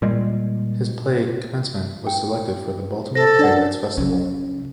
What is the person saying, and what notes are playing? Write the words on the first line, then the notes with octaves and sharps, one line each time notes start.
His play "Commencement" was selected for the Baltimore Playwrights Festival.
A#2 G3 G#3
G5
A4 C5 A#6
D4 D5 F#5
C#3 F#3 C#4